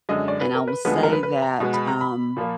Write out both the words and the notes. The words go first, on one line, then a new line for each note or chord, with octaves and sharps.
And I will say that, um
F#2 D3 G#3 D#5
D5
B4
A#4
B4
D2 D3 F3 G#3 B3 B4
G#4
A#4
B4
B4
A#5
B2 G#3 B3
B5
A#5
B5
A#2 F3 A#3